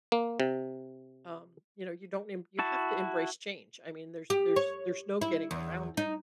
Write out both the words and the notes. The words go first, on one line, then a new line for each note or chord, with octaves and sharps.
um, you know, you don't emb you have to embrace change, I mean, there's there's there's no getting around it.
A#3
C3
E4 F#4 A5
G4
C#5
E4
E2
D#4